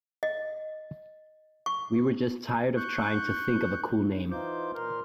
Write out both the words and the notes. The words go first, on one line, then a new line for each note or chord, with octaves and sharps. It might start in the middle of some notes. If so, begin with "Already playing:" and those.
We were just tired of trying to think of a cool name.
D#5
C#6
C#6 F#6 G6
E3 D#4 F4 C5 D6 G6
A#2 A#4 C6 F6